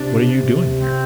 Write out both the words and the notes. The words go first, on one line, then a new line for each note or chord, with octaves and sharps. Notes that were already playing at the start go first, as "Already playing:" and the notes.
What are you doing here?'
Already playing: C3 D4
C4